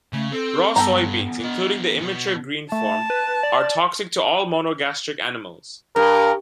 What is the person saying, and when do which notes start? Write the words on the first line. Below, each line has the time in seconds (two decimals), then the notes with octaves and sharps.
Raw soybeans, including the immature green form, are toxic to all monogastric animals.
0.13 C#3 A3
0.32 C4 A4
0.76 G2 B3 A4 G5 A#5
1.39 E3 D#5
2.02 B3 F#4
2.72 A3 A5
3.10 B4
3.43 D5
5.96 G2 A#4